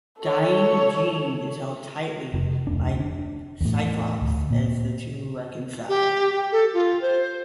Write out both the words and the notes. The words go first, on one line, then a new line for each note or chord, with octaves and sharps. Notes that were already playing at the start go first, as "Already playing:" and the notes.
Dying, Jean is held tightly by Cyclops as the two reconcile.
A4 C#5
F1
F1 D2 D4
D4
E2 A2
D2
A#2
G4
A4
F4
C5